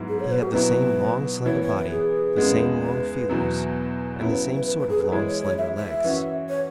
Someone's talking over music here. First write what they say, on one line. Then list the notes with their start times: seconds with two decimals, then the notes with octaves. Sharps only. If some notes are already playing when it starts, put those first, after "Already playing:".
He had the same long, slender body, the same long feelers, and the same sort of long, slender legs.
Already playing: G#2 F#3 B3 E4
0.08 G#4
0.20 C#5
0.31 B4
0.42 F#4
0.53 B2 F#3 E4 B4
1.45 E3 B3 E4 C#5
1.62 C#5
1.76 B4
1.91 G#4
2.37 E2 C#3 G#3 B3
2.83 B4
3.29 E2 B2 F#3 E4
4.20 C#3 F#3 B3 E4 C#5
4.32 B4
4.55 B4
4.66 B4
4.78 B4
4.90 G#4
5.01 B4
5.12 E3 G#3 E4 C#5
5.27 C#5
5.42 C#5
5.58 E5
5.76 E5
6.04 E3 C#4 F#4
6.49 C#5